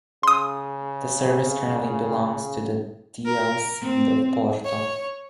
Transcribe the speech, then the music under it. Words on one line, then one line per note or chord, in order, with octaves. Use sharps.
The Service currently belongs to the Diocese of Porto.
C#3 C6 D#6
A#4
C4
C#5